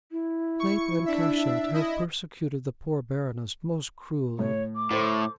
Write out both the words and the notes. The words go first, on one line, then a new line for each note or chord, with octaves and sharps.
Snape and Cashett have persecuted the poor Baroness most cruelly.
E4
C#6 C#7
D4 E5
E4 D#5
A2 C#5
D6
A2 A4 C5 C6